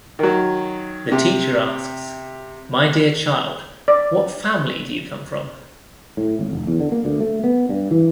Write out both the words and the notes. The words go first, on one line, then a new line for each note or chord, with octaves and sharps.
The teacher asks, my dear child, what family do you come from?
D#3 F#3
C3
D5
A2
G#1
F1
E2
D3
A#3
D2
A3
B3
G2
E3